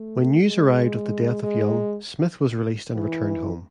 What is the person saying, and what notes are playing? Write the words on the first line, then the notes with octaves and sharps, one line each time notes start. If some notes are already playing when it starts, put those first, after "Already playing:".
When news arrived of the death of Young, Smith was released and returned home.
Already playing: A3
G#3
G#3
E3